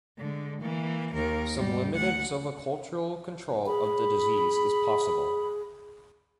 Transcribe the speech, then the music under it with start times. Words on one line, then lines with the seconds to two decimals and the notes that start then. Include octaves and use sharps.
Some limited silvicultural control of the disease is possible.
0.19 D3 G#3
0.61 E3 A#3
1.15 D#2 A#4
1.54 G#2 G3
1.92 D2 F#5
3.66 G#4 B5